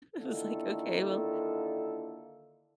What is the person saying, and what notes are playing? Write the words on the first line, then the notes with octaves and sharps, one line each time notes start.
I was like, “Okay, well.”
D3 D#3 A#3 E4 F4 A4